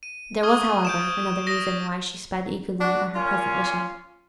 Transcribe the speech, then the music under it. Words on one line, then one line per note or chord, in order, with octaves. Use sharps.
There was, however, another reason why she sped eagerly on her present mission.
D#7
C#6 D#6 F6 G#6 G7
G6 D7 E7
D#6 A#6 B6 D7 G7
D4 F#4
A#2 C#4 F4